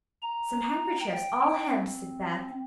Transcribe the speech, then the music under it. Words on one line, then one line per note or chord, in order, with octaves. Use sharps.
"Some handkerchiefs, all hemmed," said Beth.
A#5
G5
C4